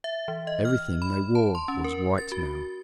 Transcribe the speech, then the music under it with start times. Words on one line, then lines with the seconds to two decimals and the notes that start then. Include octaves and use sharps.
Everything they wore was white now.
0.04 E5
0.28 E3
0.47 D#5
0.65 F6
1.02 B5
1.35 A5
1.55 C6
1.68 C#4
1.84 A#4
2.18 A6
2.32 F#4